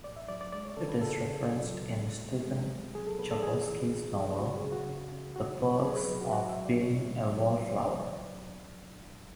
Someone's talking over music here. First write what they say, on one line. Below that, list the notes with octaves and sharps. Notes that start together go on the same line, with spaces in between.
It is referenced in Stephen Chbosky's novel "The Perks of Being a Wallflower".
A2 D5
E5
F#3 D5
D5
G#3 D5
C#5
C#3 A4
B4
C#3 A4
C#3
F#3
F#3
G#3
B2
G#3
B2
F#3 G#4
A4
B2 B4
A4
E3 G#4
E3
A2
F#3
C#3 F#4
G#4
C#3
F#4
C#3
C#3
B2 F#4
B2
F#3 G#4
B4
F#3
F#4
F#3 F#4
E5
F#3
D5
A2 C#5
G#3
F#3
F#3
B2 D5